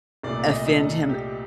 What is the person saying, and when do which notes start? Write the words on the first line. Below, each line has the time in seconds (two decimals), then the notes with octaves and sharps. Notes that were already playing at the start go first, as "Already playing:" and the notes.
offend him,
0.23 C2 A#2 A3 D5
0.51 D#5
0.80 A4
1.09 G4